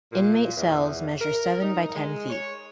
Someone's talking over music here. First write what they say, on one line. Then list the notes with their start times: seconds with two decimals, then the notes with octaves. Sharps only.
Inmate cells measure seven by ten feet.
0.12 A#2
0.57 E2
1.21 A#4
1.62 D#4
1.96 G#3
2.30 C#5